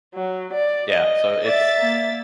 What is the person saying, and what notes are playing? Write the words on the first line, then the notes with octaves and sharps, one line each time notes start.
Yeah, so it's
F#3
D5
D#5
D5 E5 A6
A#3